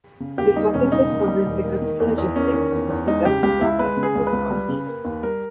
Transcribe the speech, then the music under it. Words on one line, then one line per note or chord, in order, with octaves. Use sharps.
This wasn't discovered because of the logistics of the testing process and overall haste.
C#3
D#2 G4
G3 D#4
E1 C#4
C#3 D#4
D#2
G3
E1
A#3
D#3
E2
E2
A#3 C#4
D#3
E2
E2
G#3 D#4
C#3 G4
C#2 G4
C#2 E4
G#3 B4
C#3
G#4
C#2
B4
C#2
G3
C#3
A#3
D#2
G3 A#4